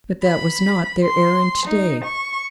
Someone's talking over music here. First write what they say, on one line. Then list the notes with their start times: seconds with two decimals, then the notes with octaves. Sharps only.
But that was not their errand to-day.
0.23 B5
1.04 C6
1.65 D#4
2.04 C#6